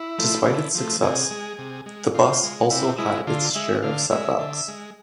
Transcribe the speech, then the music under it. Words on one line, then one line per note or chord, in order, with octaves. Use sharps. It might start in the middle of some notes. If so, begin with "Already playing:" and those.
Despite its success, TheBus also had its share of setbacks.
Already playing: E4
F3 A3
D3
F3 A3
C3 G#4
G#3
C3
G#3
C3 F4
G#3
C3 E4
G#3 E4
D3 F4
G#3 E5
D3 F5
G#3 E5
D3
G#3